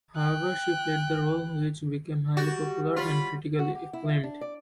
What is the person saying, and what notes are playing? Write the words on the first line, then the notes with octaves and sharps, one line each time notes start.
However she played the role which became highly popular and critically acclaimed.
G5 F#6
G3 F#4
F4 C#5 B5
F#4
G4
E4
F4
D4
D5